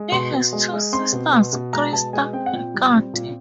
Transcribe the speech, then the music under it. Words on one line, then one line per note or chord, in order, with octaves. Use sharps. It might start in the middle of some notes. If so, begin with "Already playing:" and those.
He has two sisters, Krista and Katie.
Already playing: G#3
B2 C6
B2
G#3
G#3
C4 C6
B2
B2
B2
G#3 A#5
B2 A5
G#3 G#5
C4 G5
F#5
A#2 G5
G3
C4
A#2